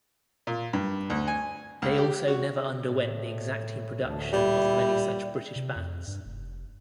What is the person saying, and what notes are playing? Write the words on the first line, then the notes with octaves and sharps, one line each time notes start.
They also never underwent the exacting production of many such British bands.
A#2
G2
D2
G#5
C#2
G4
F#4
A2
A1 D2
A#2 G3 E4
C3
F2
G2
F1